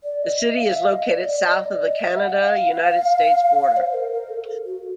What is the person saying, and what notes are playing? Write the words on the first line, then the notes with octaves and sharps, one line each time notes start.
The city is located south of the Canada-United States border.
D5
D#5
E5
F5
E5
F5
D#5
D5
D5
D#5
D5
D#5
E5
F#5
F5
C5
A#4
A#4
A4
F#4